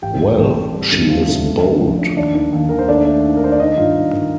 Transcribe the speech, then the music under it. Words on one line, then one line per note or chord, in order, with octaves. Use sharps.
Well, she is bold!
A1 G4 G5
A1
A1 A4 A5
C4
G3
D2
C4 F4 F5
D2
A3
D4
F3
D4
D#2 D4 D5
D#3
D#2
D#2 A#4
C5
A3 D4 D5
A3
D#4
A#4
D#4 C5
D5
D#3 D#4 D#5
G2 F4 F5
G2
D#3